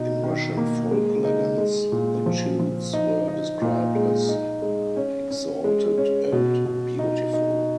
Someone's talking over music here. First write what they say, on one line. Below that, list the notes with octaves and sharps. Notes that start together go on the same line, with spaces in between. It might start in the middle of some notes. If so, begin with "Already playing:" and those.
In Russian folk legends, the Chudes were described as exalted and beautiful.
Already playing: B2 D#4
D#3
A#3
G#3
D#4
G#3
A#2
F3
F3
D#4
D#4
A#2
G#3
D#4
G#3
C#4
C#4
G#3
C#4
B2
B2
D#4
D#4